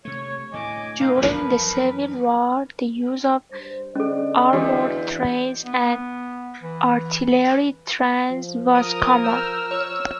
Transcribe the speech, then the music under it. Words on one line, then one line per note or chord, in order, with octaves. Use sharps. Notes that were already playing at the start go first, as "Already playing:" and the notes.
During the civil war, the use of armored trains and artillery trains was common.
C3 A3 C#5
D2 A2 A3 D#5 G#5 D6
D2 B2 D#4 F5
F#2 E3 F3 C4 A#4 B4
G2 C5
D3 C#4 A4 D5 D#5
E2 D4 F#4
B3
E3
F3
A#4 D#6
E6 F6 G6
C#5 E6 F6